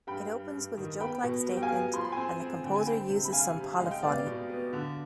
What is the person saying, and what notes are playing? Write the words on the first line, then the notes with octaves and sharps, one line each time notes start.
It opens with a joke-like statement, and the composer uses some polyphony.
G2 G5 B5
G3
G2
D#3
B3 G5 B5
B2
G3
G5
F5 G#5
B3
F3 C6
B5
C4 G#5 C6
C4
D3 G5
G#5
C4 G5 B5
C3
B5
G3 F5 G#5
C3
G#3 F5
G5
B3 D5 F5
B2
B3
D3